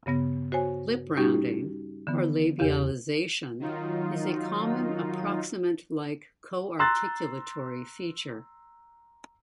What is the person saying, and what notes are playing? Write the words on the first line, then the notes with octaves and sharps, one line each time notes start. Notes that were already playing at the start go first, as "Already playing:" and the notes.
Lip rounding, or labialization, is a common approximant-like co-articulatory feature.
G2 C#3 B3 A#6
F#4 C5 C#5 G#5
G3 C#4 D#4 F#4 G4
D3 E3 B3
E2 C#3 G4 F5
D#3 F#3 D#4 F4
A#5 C6 E6 F#6 A6